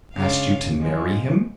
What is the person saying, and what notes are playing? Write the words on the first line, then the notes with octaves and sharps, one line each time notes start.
"Asked you to marry him?"
C#3 G#3 D4 F4 F5
F#2 F3 G#3